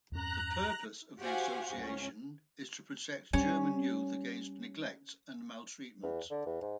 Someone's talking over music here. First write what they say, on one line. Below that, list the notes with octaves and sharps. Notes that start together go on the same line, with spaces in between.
The purpose of the association is to protect German youth against neglect and maltreatment.
E2 G2 C#4 A#5 F#6
F#4 G4 C5 F5 F#5 G#5
C#2 C#4
G3 C#4
E2
D3
E2
G#2